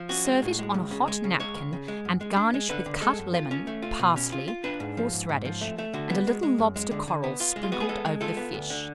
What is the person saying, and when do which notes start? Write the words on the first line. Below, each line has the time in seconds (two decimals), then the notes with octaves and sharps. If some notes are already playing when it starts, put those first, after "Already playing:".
Serve it on a hot napkin, and garnish with cut lemon, parsley, horseradish, and a little lobster coral sprinkled over the fish.
Already playing: F3
0.09 C#4 F#4
0.27 G#3
0.42 A2
0.59 G#3
0.74 C#2
0.91 C#3
1.08 G#3
1.24 C#3
1.40 G#3 C#5
1.55 C#2
1.73 C#3
1.88 G#3
2.05 F#2
2.21 G#3
2.36 D4
2.54 G#3
2.69 D3 B4
2.86 D3
3.01 G#3 A4
3.19 F#2
3.34 F4
3.51 C#4
3.67 A3
3.82 F4
3.99 B2
4.16 C#4
4.32 F4
4.48 F4
4.64 D4 B4
4.80 G#2
4.97 F3
5.13 G#2
5.29 G#2
5.45 F3
5.61 A3
5.78 A3
5.94 D3 F#4
6.10 B3
6.27 G#3
6.43 G#3
6.58 F#2
6.76 G#3
6.91 D3
7.08 D3
7.24 B3
7.40 F4
7.56 G#3
7.63 F4
7.72 B3 F#4
7.80 G#4
7.89 G#3 A4
8.05 G#3
8.21 F4 A4
8.37 B3
8.54 D2
8.70 D3